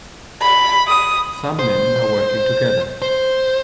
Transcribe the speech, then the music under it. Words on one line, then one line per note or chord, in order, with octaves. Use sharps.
Some men are working together.
B5
D#6
C5
C5